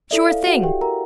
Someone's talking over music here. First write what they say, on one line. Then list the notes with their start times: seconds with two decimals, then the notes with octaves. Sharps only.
Sure thing.
0.11 E4 A4 D5 E5
0.29 F5
0.46 F#4 F#5
0.64 G4 G5
0.81 A#4 A#5